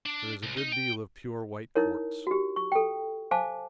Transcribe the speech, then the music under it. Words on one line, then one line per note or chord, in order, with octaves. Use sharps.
There is a good deal of pure white quartz.
D4
C2
D#4
G5
D#4 E4 A#4 C#5
F#4 G4
C#6
A4 G5
C5 F5 G#5 A5 D6